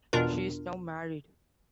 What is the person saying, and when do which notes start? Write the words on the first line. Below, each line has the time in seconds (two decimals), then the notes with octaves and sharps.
She is now married.
0.13 E2 B2 D4 F4 A#4